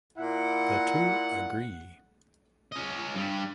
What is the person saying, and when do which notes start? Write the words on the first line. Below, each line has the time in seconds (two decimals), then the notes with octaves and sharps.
The two agree.
0.18 A#2 E4 F#5
2.72 C#4 D#5
3.15 G2 G3